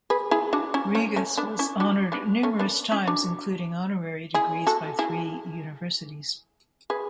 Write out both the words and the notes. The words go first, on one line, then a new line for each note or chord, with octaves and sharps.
Rigas was honored numerous times, including honorary degrees by three universities.
G#4 B4
E4 G#4
D4 F#4
C#4 E4
A3 C#4
A3 C#4
B3 D4
C#4 E4
D4 F#4
B3 D4
A3 C#4
B3 D4
C#4 E4
D4 F#4
E4 G#4
F#4 A4
E4 G#4
G#4 B4